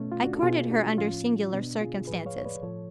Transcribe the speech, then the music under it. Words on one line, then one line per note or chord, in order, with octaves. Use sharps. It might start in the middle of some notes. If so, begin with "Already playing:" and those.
I courted her under singular circumstances.
Already playing: B2 A3 C#4
F4
D4 F#4
A4
B2 F4 G#4
D4 F#4
A2 F3 C#4 F4
B2 B3 D4
F4 G#4
A2 F3 G#4 B4
C#5 F5
C#5
B4 D5
A2 F3 A4 C#5